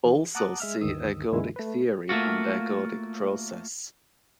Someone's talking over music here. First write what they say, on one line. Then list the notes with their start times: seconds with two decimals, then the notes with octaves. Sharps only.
Also see ergodic theory and ergodic process.
0.05 E3
0.35 F#5 A5 A#5 D6 D#6 F#6
0.60 G#3 E5 F6
0.81 D2 G2 D3 D#3 D#6 E6
1.32 F#2 B2 D3 E3 G#3 E4
1.56 A3 B4
2.09 A3 A#3 F4 F#4